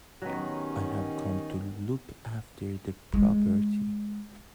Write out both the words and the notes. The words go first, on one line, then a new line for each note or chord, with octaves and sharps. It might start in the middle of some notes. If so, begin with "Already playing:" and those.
I have come to look after the property.
D#3 F#3 B3 C#4 G4
G#3